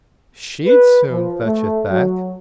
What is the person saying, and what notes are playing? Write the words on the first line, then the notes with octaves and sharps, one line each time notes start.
'She'd soon fetch it back!'
B4
F3
A3
F#3